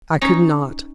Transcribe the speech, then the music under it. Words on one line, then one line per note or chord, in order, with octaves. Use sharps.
I could not.
C#4 D#4